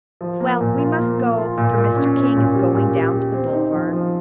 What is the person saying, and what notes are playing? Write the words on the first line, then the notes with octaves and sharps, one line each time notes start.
"Well, we must go, for Mr. King is going down to the Boulevard."
F3
A#3
A#2
F4
A#3
A#3
F4
A#2
A#2
C#4
C#4
A#2
G3
A#2
G4
G4
C4
D#4
F3
F3